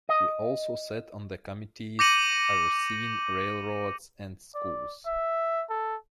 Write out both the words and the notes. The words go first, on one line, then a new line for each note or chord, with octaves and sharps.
He also sat on the committees overseeing railroads and schools.
D#5
D6 G6 A#6 C#7 D#7 F#7
D5
E5
A4